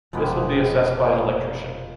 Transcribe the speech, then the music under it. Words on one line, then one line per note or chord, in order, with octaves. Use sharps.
This will be assessed by an electrician.
F1 B2 F3 G#3 A#3 B3 G4